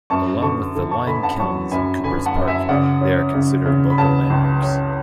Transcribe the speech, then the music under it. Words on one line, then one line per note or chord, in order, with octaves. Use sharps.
Along with the lime kilns in Coopers Park, they are considered local landmarks.
F#2 A5 C#6
D3 A5 C#6
D3
A5 C#6
D3 G#5 B5
F#5 A5
F#3 A5 C#6
F#2 G#5 B5
D3 G#5 B5
F#5 A5
F#2
E5 G#5
C#3 D5 F#5
C#4
C#3
C#3
B5
C#3 F#5 A5
C#2
C#4